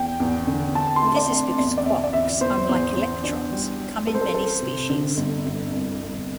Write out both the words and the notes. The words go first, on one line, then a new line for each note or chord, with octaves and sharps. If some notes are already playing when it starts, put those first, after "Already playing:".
This is because quarks, unlike electrons, come in many species.
Already playing: E2 G5
E2
D3
C4 A5
C6
A3
D5
C4
E2 D5
D5
E2 E5
D5
E2 E5
E2 C5
E2
E2
D4
G3
G3
C2 A4
C5
A4
C2 A4
C3
D3
G1
G1
C2
C2